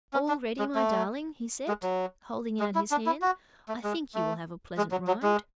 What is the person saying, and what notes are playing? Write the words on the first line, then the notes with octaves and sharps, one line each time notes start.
"All ready, my darling?" he said, holding out his hand; "I think you will have a pleasant ride."
C#4
D4
G#3
A3
G#3
F#3
G#3
E4
D4
E4
F#4
A3
G#3
A3
G#3
F#3
F#3
G#3